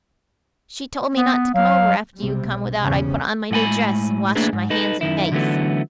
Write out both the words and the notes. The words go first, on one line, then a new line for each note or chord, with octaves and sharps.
"She told me not to come over after you come 'ithout I put on my new dress and washed my hands and face."
B3
F#3 F5
B1 C3 G3
E2 G#2 C#3 F3 G3 C#4
A2 G#3 F#5 G#5 B5
A3 A#3 D4 E4 G#4 B4
G#2
D#4 A4 B4
F#2 D#3 E4
D3 E3 F#3 A3 B3